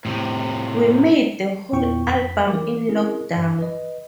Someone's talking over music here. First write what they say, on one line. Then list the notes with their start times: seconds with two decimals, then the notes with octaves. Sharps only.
We made the whole album in lockdown.
0.05 A2 C3
1.73 E2 A#2 B3 E4 G5 C#6
2.07 F2 B6
2.47 E3 A#4 D6
2.89 C4 C#4 E4 G#4 A#4
3.37 G2
3.59 B4 D#5